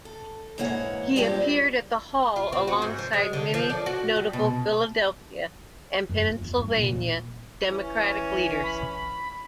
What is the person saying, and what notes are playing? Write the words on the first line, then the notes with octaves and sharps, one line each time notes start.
He appeared at the Hall alongside many notable Philadelphia and Pennsylvania Democratic leaders.
A4
G#2 E3 A#3 C#5 F#5
G2 A#2 G3 G#3 C4 G4
F4
C4
F#4
G#2
F3
G#3
D3
F3
D5
F#4
G3
B2
F#2
F4
E2
G2
A#2
D#1
E3 C#4
B5